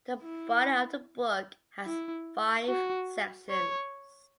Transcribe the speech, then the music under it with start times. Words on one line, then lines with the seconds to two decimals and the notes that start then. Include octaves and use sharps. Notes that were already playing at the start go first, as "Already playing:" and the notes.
The body of the book has five sections.
0.23 E4
1.86 E4
2.68 F#4
3.50 C#5